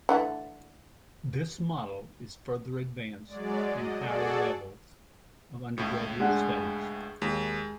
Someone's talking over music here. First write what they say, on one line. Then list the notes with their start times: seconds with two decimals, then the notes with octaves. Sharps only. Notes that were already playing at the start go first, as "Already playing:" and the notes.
This model is further advanced in higher levels of undergraduate studies.
0.09 D3 E3 A3
3.26 F#3 G#3 D5
3.68 D#5
3.98 F#4 G#4 A4 D5
5.78 C#2 A2
6.20 G#3 D4 F#5
7.22 D#2 G#3